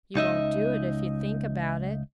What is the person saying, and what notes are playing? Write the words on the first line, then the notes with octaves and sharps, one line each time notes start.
'You won't do it if you think about it.
C#2 D#4 D#5 E5